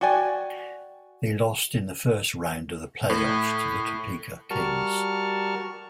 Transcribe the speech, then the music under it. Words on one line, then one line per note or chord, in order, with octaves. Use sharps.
They lost in the first round of the playoffs to the Topeka Kings.
F#4 D5 G5 G#5
A2
G3 F#4 A#4 A5 C#6 F6